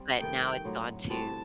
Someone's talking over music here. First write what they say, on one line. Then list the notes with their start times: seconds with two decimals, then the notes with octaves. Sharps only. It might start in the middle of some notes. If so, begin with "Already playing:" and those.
but now it's gone to
Already playing: G3 C4
0.20 G2 D#3 A3 D#4 G5
0.65 A2 F#3 C4
1.10 A2 G3 C4 F#4 A5